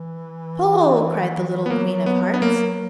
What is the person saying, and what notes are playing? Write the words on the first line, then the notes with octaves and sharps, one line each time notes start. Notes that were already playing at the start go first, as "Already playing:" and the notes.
"Pull!" cried the little Queen of Hearts.
Already playing: E3
B3
F#3 A#3
B3
B3
A#3